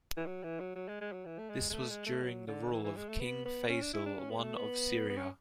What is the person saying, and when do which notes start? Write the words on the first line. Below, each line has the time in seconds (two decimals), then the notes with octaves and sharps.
This was during the rule of King Feisal I of Syria.
0.17 E3
0.27 F#3
0.44 E3
0.60 F#3
0.76 F#3
0.88 G#3
1.01 G#3
1.13 F#3
1.26 E3
1.38 A3
1.50 G#3
1.70 G#3
1.74 A3
1.91 G#3
2.06 A3
2.23 F#3
2.47 D3
2.72 E3
2.84 E3
2.97 G#3
3.08 A3
3.20 B3
3.46 B3
3.69 C#4
3.82 D4
3.94 E4
4.06 D4
4.19 C#4
4.30 B3
4.38 G#3
4.43 A3
4.56 B3
5.09 B3
5.17 C#4